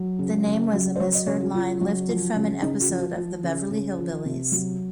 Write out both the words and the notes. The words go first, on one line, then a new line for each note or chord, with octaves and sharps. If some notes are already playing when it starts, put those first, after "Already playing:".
The name was a misheard line lifted from an episode of "The Beverly Hillbillies".
Already playing: F#3
C#3
C#3
F#3
C5
F#3 C#5
D#5
C#3 C#5
F#4
C#3 F4
F#3
F3
C#3
C#3 D#4
F#4
F3
F#4
F3
C#3
C#3
F3
C3
F#3